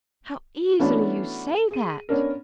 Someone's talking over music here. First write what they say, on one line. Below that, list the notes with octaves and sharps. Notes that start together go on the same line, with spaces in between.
"How easily you say that!"
E3 A3 B3 C#4 D4 F#4
G#4 D#7
B3 C#4 D4 A#4